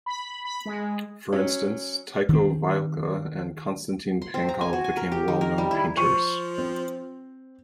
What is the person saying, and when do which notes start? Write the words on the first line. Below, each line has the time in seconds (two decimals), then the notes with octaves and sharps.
For instance, Tyko Vylka and Konstantin Pankov became well-known painters.
0.06 B5
0.45 B5
0.65 G#3
1.32 F#3 C#4
2.29 D#3 C4
4.22 C6
4.34 C4
4.49 A#5
4.61 G#5
4.73 F#4
4.84 G#5
4.97 A#4
5.12 G4
5.28 D#3
5.41 A#4
5.58 G3
5.71 E4
5.97 F3 C#6 D#7
6.58 C4